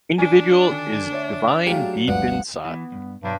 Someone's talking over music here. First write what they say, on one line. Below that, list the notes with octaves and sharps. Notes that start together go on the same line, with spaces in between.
Individual is divine deep inside.
D4 G#5
D3 D#3
D2 C#5 E5
F#3 A3 F4 G4 G#4 F5 G5
G1 D2 G2 F3 B4 D5 F#5
E3 B3
G2
B1 G2 F#3 D4